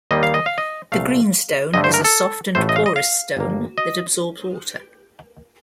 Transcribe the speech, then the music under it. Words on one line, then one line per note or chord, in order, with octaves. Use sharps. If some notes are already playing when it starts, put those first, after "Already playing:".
The greenstone is a soft and porous stone that absorbs water.
D#2 D#3 G3 A#3 D#5
F5
D#5
F5
D#5
C2 A#2 A3 F5
G2 D3 A3 D#5
C5
A#4
A4
A1 A2 A3 C5
D#5
F5
D#5
F5
G1 G2 D#3 A#3
D#5